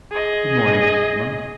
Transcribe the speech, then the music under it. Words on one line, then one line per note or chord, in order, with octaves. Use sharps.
Good-morning, Mrs. Munt.
G#4 D#5